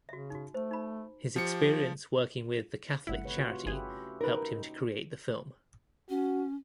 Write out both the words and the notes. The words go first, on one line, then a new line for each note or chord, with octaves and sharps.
His experience working with the Catholic charity helped him to create the film.
C#3 F#4 E5
D#4 F#4
A3 C5
D#4 B5
F3 G4 C#7
G1 A3 E4 F#5
C3 B4 C#5
F4 F#4 B4
G1 C#4 E4 G4 G#4
D#4 A#4 B4
C#4 F#4